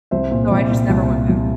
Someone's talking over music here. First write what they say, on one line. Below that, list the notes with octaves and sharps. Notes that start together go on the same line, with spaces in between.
so I just never went back.
C2 C5 E5
A#2
C2
A#2
C2
A#2
C2